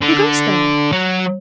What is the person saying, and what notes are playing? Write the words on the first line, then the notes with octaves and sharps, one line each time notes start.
Who goes there?
D3
F#3